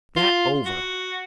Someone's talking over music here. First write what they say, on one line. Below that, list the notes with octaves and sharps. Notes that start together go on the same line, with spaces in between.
That over!
F4
F#4